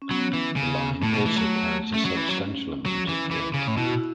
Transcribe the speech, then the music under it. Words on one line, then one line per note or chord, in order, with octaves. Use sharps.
The line also carries a substantial amount of freight.
C#4
F#3 B3
E3
C#3
A2 A3
B2
E3
F#3
A3 C#4
F#3
E3
F#3
F#3
E3
E3
C#3
A2
B2 E4
F#4
E4